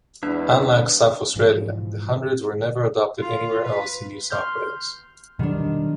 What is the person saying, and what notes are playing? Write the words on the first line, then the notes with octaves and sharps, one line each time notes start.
Unlike South Australia, the hundreds were never adopted anywhere else in New South Wales.
E2 G#3 D4 B4 F5
G#2 B2 E3 F3
F4
B4
C6 F6 G6
B2 D#3 F#3 G3 D4